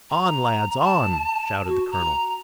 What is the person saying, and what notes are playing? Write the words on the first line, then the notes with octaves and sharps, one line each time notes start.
"On, lads, on!" shouted the colonel.
A#5
A5
F#4
A#5